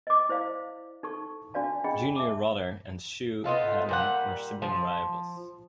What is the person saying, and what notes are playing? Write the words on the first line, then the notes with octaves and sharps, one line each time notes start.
Junior Rotter and Sue Helen were sibling rivals.
D#5 D6
E4 C5 D5 F5
D#4 A4 C#6
D4 F#4 D5 F5 A5
C#4 D4 G#4 D#5 G5 B5
E5 A5 D6
B3 D#4 F4 A4
A#2 G3 F#5
F3